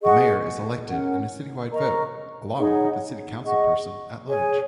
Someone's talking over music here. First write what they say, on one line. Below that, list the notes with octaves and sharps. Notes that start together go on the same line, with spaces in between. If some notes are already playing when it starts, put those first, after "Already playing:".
The mayor is elected in a citywide vote, along with the city councilperson-at-large.
G#4 D#5 F#5 C#6
C#4 A#4 F#5
A#4 D#5 A#5 C#6
D#4 G#4 C#5 F#5
G#4 D#5 F#5 C#6
G#4 C#5 G#5